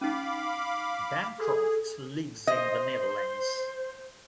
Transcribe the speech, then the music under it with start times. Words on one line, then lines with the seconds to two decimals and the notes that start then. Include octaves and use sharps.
Bancroft lives in the Netherlands.
0.01 C#4 D#4 F5 B5 D6
1.39 G#4 A4
2.47 C5 D#5